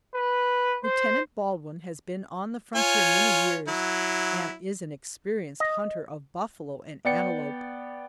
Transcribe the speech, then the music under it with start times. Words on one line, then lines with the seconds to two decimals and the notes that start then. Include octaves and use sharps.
Lieutenant Baldwin has been on the frontier many years, and is an experienced hunter of buffalo and antelope.
0.15 B4
0.84 C5
2.75 F4 C#5 G#5
3.68 F#3 E4
5.60 D#5
7.05 B3 D5 G5 C#7